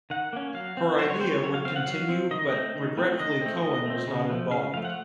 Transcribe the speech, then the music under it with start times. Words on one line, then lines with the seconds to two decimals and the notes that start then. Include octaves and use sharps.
Her idea would continue but regretfully Cohen was not involved.
0.10 D#3 F#5
0.33 A#3 C#4
0.54 F#3 F5
0.77 C4
0.98 F#3 C5
1.10 C#5
1.21 C4 C5
1.32 C#5
1.43 F#3 C#5
1.54 F5
1.65 C4 F5
1.76 F#5
1.87 F#3 F5
2.09 C4
2.31 D#3 D#5
2.53 A3 C4
2.76 D#3
2.98 A3 C4
3.20 D#3 D#5
3.41 A3 C4
3.63 D#3 D#5
3.86 A3 C4
4.07 C#3
4.30 F3 A3
4.51 C#3 F5
4.73 F3 F5
4.77 A3
4.85 F#5